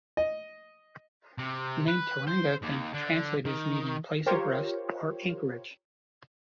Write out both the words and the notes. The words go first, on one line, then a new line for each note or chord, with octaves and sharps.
The name Tauranga can be translated as meaning 'place of rest' or 'anchorage'.
D#5
C3
B4
C5
D#2
D3
D#3
F4 G4 A#4 C5 C#5